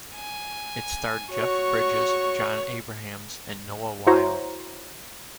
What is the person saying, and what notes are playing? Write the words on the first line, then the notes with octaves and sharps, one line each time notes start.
It starred Jeff Bridges, Jon Abrahams, and Noah Wyle.
G#5
F#4 C#5 C#6
E4 F#4 C5 C#5 A#5